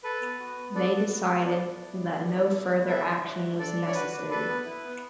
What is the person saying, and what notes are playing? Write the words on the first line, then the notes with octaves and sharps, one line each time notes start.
They decided that no further action was necessary.
A4 B4
B3
F#4
B3
D4 A4 D5
B3
F#4
B3
D4 A4 D5
B3
E4
B3
A4
B3
E4
B3
E4 A4 E5
D4
F#4
D4
D4 A4 D5
D4
C#5
F#4 B4
D4
A4 B4
B3
E4
B3